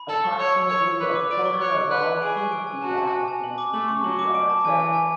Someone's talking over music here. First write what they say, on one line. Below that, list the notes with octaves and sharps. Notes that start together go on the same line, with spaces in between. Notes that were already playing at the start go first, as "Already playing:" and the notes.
Approximately a quarter of all HumorFeed applicants reviewed are accepted.
Already playing: B5
A4 F#7
C#6
C#5 E6
E6
C#5 E6
E6
B4 D6
D6
D5 D7
C#6
C#5 F#6
F#6
B4 F#6
F#6
G#4 D7
C#6
D7
G#5
F#4 A5
A5
G#5
G#5
F#7
D6
A3 F#7
C#6
F#3 F#7
D6
D7
A5
E3 G#5
G#5
G#5